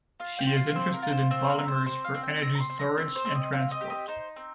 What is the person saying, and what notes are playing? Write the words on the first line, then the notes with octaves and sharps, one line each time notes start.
She is interested in polymers for energy storage and transport.
F4 F5
G5
F4
F5
C4 C5
A#4
F4
C5
C4 C5
A#4
C4
C5
C4 C5
F5
C4
G5
C4 A#5
A#5
C6
C4
A#5
C4
C5
C4
D#5
C4 F5
D#5
G4
D#5
D#4 C5
C4